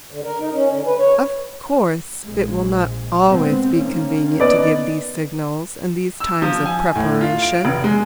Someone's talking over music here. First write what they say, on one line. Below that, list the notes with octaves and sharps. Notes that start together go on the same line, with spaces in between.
Of course, it will not always be convenient to give these signals and these times of preparation.
D3
A#4
D#4
C#4
D3
B4
C#5
A#1 G#3
G#3 B3 C4
D#3 A#3 C#4
B3 D5 D#5
E6
F3
G#5
A2
F4
D7
F1
G#3